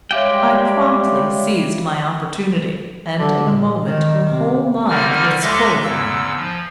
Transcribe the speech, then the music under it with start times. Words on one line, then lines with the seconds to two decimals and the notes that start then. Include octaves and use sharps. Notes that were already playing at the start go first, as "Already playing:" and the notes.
I promptly seized my opportunity, and in a moment her whole mind was full of me.
0.11 G3 G#3 G4 C#5 E5 F5 G5
3.18 D3
3.48 A#2
3.85 D#3
4.27 C3
4.89 D3 D#3 G3 D#4 F6
5.42 D#2 G#3 A4 E5 D6 A#6
5.83 E2 G#2 E6
6.36 F3